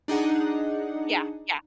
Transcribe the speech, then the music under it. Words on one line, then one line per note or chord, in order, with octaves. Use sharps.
Yeah, yeah.
D4 D#4 G#4 F#5